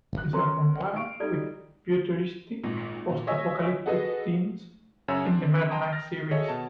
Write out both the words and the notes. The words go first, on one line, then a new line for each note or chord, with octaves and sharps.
These are combined with futuristic post-apocalyptic themes in the Mad Max series.
F#6
C#4 A4 A#4 A#5 C6
F5 C#6 D7
G3 D#4 A4 D5
G#1 A#2
A#2
C#5 D#5 E5 G#5
F#4 G#4 A4 B4 D#5
F#2 C#3 C#5 E5 E6
C4 D4
D#5 G5 A5 A#5 C6 D#6
F6 A6 A#6
F#4 G#4 A4 C#5 D#5 E5
B2 A5